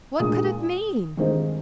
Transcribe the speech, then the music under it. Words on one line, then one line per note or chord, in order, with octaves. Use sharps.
What could it mean?
A#2 G#3 D4 F4 D#6
G2 D#3 G#3 C4 D#4